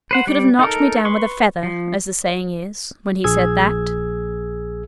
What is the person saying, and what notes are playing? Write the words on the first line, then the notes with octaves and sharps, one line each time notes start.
You could have knocked me down with a feather, as the saying is, when he said that.
B4 C5 F#5
G3 D5
D#4 A4 A#4
B4 C6 C#6
F3
A#1 G#4 E6 G#6